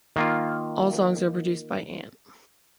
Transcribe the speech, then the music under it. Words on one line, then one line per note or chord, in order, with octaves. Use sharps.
All songs are produced by Ant.
D#3 A#3 F4